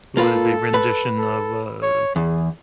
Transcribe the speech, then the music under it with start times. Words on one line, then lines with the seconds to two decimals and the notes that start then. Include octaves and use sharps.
W the rendition of, uh,
0.17 A#3 F4 A4 B4
0.74 B4
1.19 A4
1.83 C#5
2.16 E2 G#4